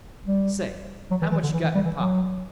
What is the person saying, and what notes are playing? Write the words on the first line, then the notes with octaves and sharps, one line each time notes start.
Say, how much you got in your pocket?
G3
F#3
E3
E3
D3
E3
E3
G3
E3
F#3